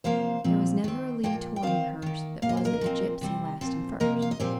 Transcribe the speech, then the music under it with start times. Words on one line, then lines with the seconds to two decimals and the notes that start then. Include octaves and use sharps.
'There was never a Lee to Warminghurst That wasn't a gipsy last and first.
0.04 C3 F3 A#3 C5 F5
0.44 A#2 F3 C4
0.84 D#3 C4
1.23 A#2 F3 A#3 D#5 G5
1.56 G5
1.62 D#3 C4 C5 F5
2.02 D#3 A#3
2.42 A#2 A#3 F5
2.49 D#5
2.57 C5
2.65 A#4 D#5
2.81 A#2 F3 C4
3.21 C3 G3 C4
3.61 A#2 F3 C4
4.00 C3 F3 A#3 A#4 D#5
4.22 F5
4.31 D#5
4.40 A#2 F3 C4 G4 C5